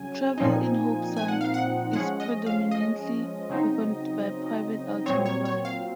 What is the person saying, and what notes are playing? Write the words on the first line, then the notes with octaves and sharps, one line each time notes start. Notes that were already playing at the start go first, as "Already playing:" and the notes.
Travel in Hobe Sound is predominantly performed by private automobile.
Already playing: C#3 F#3 C#4 G#5
A#2 F3 C4 D#4
G#5
F#5
F5
F#5
F3 G#3 C#4 F#5
D#5
F5
D#5
C#3 F#3 C4 D#4
A#2 F#3 C4 C#5
C#5
C#5
F5